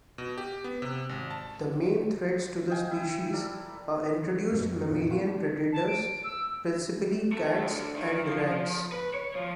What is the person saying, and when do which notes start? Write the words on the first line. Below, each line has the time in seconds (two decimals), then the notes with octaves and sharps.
The main threats to the species are introduced mammalian predators, principally cats and rats.
0.18 B2
0.38 G4
0.64 B3
0.82 C3
1.09 G#1
1.30 A5
2.70 D#5 F5 G5 G#5
2.91 E4
3.33 A4 A#4 D5 A#5
4.52 F#2 B2
4.90 F2 A#2
5.11 A3 F4 F#4
5.27 D4
5.72 A5
5.87 D7
6.24 E6
7.32 A3
7.60 D2
7.96 D#3
8.25 F3
8.92 B4
9.14 C#5
9.35 F3